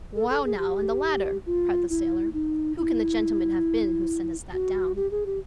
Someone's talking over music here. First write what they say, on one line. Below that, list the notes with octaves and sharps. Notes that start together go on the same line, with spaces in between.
"Well now, and the ladder," cried the sailor; "who can the gentleman have been who sent us that down?"
A4
A4
G#4
G4
F4
E4
D#4
E4
F#4
G4
G#4
G4